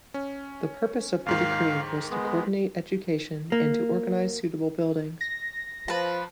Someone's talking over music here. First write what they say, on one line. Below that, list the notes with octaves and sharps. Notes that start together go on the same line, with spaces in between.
The purpose of the decree was to coordinate education and to organize suitable buildings.
C#4
D#2 G#2 D#3 F5
G#3 B3
A#3
A#6
F3 B4 A5